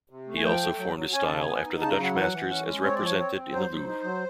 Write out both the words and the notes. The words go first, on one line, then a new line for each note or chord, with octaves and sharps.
He also formed his style after the Dutch masters as represented in the Louvre.
C3
A3
G#5
F3 G5
A3
F#3
F#3
C#4 G#5
C#3 A5
G#5
B3
D#4
C#3 A5
A#5
F#3
F#5
E3 F#5
E3
C#4
G#3
C4 C#5
D5
F3 C#5
C4
C4
F#3 C5
F#3
D#4
F#3